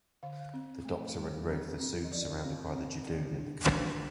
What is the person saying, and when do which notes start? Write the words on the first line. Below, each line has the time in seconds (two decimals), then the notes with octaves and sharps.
The Doctor and Ruth are soon surrounded by the Judoon in the cathedral.
0.23 D3 F5
0.54 C4
0.85 A3
1.18 G3
1.49 C4
1.80 C4
2.05 D#5
2.12 F3 D5
2.44 C4
2.75 C4
3.07 D#3
3.38 D4
3.70 D4